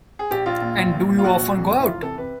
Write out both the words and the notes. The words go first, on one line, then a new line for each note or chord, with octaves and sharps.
And do you often go out?
G#4
A#1 G4
A#1 F4
A#2
A#1
A#2
A#2
F4
A#1 F#4
A#2
F2
F1
E4
E3 F4
C3 A4
C3 B4